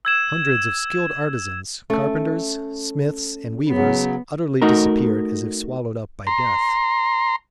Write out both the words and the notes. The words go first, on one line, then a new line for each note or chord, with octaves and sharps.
Hundreds of skilled artisans--carpenters, smiths, and weavers--utterly disappeared as if swallowed up by death.
E6 G#6 E7
A3 C#4 A4
C#3 F#3 B3
A3 D#4 F#4 A#4
A#5 C6